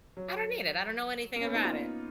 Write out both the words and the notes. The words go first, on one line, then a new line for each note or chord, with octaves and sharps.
I don't need it, I don't know anything about it.
F#3
A#3
C#4
B3
D#4
F4